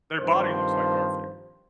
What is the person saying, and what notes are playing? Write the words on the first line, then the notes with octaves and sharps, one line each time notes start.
their body looks like Garfield.
G2 D#3 F3 C4 C5